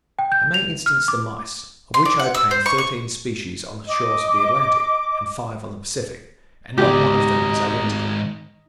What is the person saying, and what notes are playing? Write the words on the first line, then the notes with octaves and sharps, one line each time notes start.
I may instance the mice, of which I obtained thirteen species on the shores of the Atlantic, and five on the Pacific, and not one of them is identical.
G5
G6
F7
F6
D6
C6
D5
F#5
E6
C5
C#6
C#6
D#5 D6
C#2 G#2 B2 D#3 D#4 G4 D5